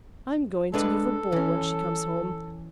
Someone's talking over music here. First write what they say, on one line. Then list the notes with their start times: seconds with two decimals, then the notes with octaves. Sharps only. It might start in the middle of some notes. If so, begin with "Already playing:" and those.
I am going to give a ball when she comes home.
0.74 G#3 D4 A4 B4
1.32 E3 C#4